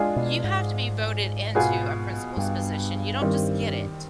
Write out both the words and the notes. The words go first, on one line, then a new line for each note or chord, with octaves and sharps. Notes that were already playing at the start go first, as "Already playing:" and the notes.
You have to be voted into a principal's position, you don't just get it.
Already playing: G#3 D4 F4 G#4
B2
G#2
B2 B3 F4 G#4
G2
D#3 G3 C4